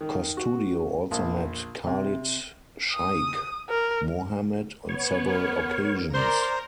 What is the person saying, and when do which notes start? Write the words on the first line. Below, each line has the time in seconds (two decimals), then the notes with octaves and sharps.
Costudio also met Khalid Shaikh Mohammed on several occasions.
0.01 D#3
0.37 F#4
1.11 A#1
1.87 C3
2.92 D#6
3.69 A#4
4.89 B3 C#5
5.29 A#4
6.14 A#4 C5 D5 C6